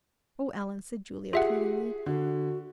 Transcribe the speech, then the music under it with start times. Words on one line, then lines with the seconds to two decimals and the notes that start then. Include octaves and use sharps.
"O Ellen!" said Julia pleadingly.
1.33 F4 G4 G#4 E5 F#5
2.06 D3 F#4